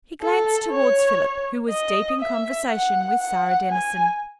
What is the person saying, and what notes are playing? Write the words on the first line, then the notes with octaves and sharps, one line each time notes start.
He glanced towards Philip, who was deep in conversation with Sara Denison.
A4
C#5
D#5
E5
F#5
F#5
G#5